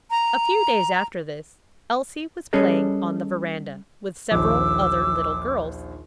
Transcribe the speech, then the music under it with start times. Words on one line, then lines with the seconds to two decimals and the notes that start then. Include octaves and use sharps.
A few days after this, Elsie was playing on the veranda, with several other little girls.
0.11 A#5
2.53 G3 C#4 G#4 A4 B4 D#5
4.31 A#1 D#2 D6 E6